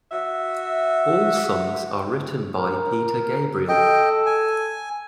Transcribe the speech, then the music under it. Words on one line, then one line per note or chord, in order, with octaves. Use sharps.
All songs are written by Peter Gabriel.
F#4 E5
A#4
A4 D#5 G5
G#5